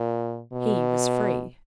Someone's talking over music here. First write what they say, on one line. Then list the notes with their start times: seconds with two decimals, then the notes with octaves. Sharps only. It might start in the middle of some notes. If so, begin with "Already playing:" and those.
He was free.
Already playing: A#2
0.53 B2